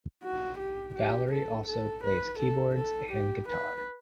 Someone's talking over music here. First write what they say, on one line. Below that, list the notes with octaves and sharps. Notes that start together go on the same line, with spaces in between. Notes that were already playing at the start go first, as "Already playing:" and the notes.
Valory also plays keyboards and guitar.
F#4
G4
G4
A4
A4
B4
A4
A4
G4
B4